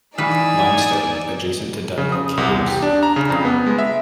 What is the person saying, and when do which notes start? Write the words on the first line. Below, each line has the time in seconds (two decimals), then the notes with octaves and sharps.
Limestone, adjacent to Dunmore Caves.
0.18 E3 D#4 G#4 B4 D5 F5 E6
0.58 G#5
1.98 C#3
2.12 D#6
2.37 C2
2.51 E2
2.67 G4
2.82 D4
3.03 A#5
3.16 C#3
3.30 F2
3.45 B3
3.67 G#3
3.78 E5